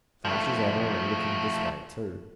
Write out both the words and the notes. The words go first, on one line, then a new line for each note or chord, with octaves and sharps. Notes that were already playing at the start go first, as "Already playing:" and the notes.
"Flash as ever, and looking this way, too."
F3 A3